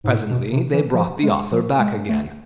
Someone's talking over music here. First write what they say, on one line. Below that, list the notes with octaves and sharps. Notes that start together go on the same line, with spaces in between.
Presently they brought the author back again.
G#2
A2
B2
C3
E3
F3
G#3
F3
G#3
A3